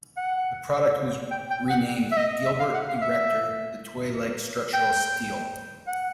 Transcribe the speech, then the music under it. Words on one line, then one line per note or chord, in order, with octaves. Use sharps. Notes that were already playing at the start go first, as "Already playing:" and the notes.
The product was renamed "Gilbert Erector, The Toy Like Structural Steel".
F#5
G5
G5
F#5
E5
D#5
E5
F5
F#5
F5
E5
G5
F#5